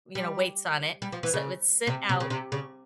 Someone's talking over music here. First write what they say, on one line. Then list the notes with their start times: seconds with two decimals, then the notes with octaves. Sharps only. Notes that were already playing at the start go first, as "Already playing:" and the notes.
you know, weights on it so it would sit out,
0.15 G3
1.02 G3
1.12 F3
1.23 E3
1.34 C#3
1.87 C3
2.09 C3
2.20 C#3
2.30 C3
2.52 C#3